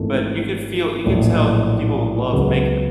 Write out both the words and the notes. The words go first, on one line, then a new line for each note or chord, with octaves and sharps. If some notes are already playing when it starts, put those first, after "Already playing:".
but you could feel you could tell people love making them.
Already playing: G#1 G#2 E3 A3
A#1 A2 F#3
C#2 C#3 F#3 B3